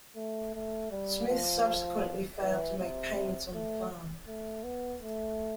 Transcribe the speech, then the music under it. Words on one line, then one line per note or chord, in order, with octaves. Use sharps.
Smith subsequently failed to make payments on the farm.
A3
A3
G3
F3
E3
C3
A3
A3
B3
A3